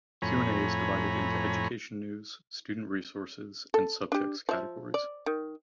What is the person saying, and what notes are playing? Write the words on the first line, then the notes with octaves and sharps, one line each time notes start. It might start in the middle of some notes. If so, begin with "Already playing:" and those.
Q and A is divided into "Education news," "Student resources" and "Subjects" categories.
F2 A2 C#5 G#5 A#5 B5
A4
D4 G4
F3 E5
D5
D#3